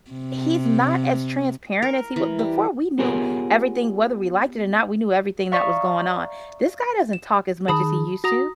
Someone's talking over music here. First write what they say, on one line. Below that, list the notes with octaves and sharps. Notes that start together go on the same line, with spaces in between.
he's not as transparent as he w before we knew everything whether we liked it or not, we knew everything that was going on. This guy doesn't talk as much as he used to.
C3
A#4
E3
G3
B3 F4 G4 G#4 A#4 C#5
D5 E5 F5 A#5 C#6 D#6
E7
D#3 G#4 A5 B5 D#6
F#4 A#5 D#6 A#6